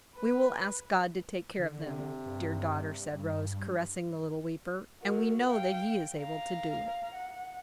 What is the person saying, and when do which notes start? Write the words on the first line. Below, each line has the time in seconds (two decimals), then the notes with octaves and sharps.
"We will ask God to take care of them, dear daughter," said Rose, caressing the little weeper, "and we know that He is able to do it."
0.17 B4
1.59 D3
1.86 C3
2.26 G2
5.03 F#4 A#4
5.48 F5 G5
6.18 F5 A#5
7.14 F#5